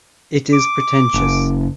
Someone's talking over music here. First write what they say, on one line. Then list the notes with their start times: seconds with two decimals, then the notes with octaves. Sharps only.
It is pretentious.
0.53 D6
1.14 F#1